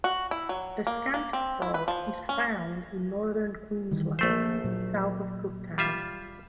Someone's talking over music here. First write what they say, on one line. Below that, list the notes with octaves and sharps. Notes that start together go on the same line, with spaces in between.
The Scanty Frog is found in northern Queensland, south of Cooktown.
F#4
E4
F#3
A#3
A#3
C4
E4
B4
F3
C#4
D#3 E3 G3
A#1 F3 A3 A#3 C5
A#2 F#3
G3 F4 E5